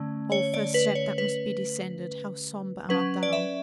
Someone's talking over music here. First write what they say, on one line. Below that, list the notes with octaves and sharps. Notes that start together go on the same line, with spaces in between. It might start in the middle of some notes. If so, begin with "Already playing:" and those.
Oh, first step that must be descended, how sombre art thou!
Already playing: D3 A3 C#4
C#5
D5
B4
C#5
B4
F#3 C#4 B4
D5
E5